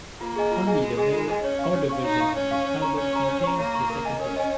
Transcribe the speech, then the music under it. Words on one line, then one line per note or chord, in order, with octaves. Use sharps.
Only the mail-order version of this album contains the second disc.
A#3 F4
G#4 D#5 G#5
F4
G#4 D#5 G#5
G#3 F4
G#4 D#5 G#5
F4
G#4 D#5 G#5
C#4 C#5
F5
C#6
C#5
F5 C#6
D#4 C#5
F5 C#6
C#4 C#5
F5 C#6
C#5
A#5 C#6
C#4 C#5
A#5 C#6
C#5
A#5 C#6
A#3 C#5
A#5 C#6
A#4
D#5 G#5
C#4 A#4
D#5 G#5